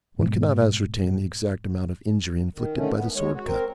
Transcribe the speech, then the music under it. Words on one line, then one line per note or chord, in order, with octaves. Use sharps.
One cannot ascertain the exact amount of injury inflicted by the sword-cut.
G#2 B2
D#3
D3 D#3 A3 C#4
B3
G#3 C#5
F#4
C4 A#4